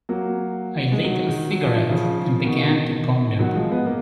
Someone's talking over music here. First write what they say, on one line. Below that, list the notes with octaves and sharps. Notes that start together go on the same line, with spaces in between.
I lit a cigarette and began to ponder.
F#3 A#3
G#3
D#3 F#3
D#3 F#3
F#3
F3
D#3
C#3 F3
B2 D#3
D#3 F#3
F3 G#3
G#3 B3
A#3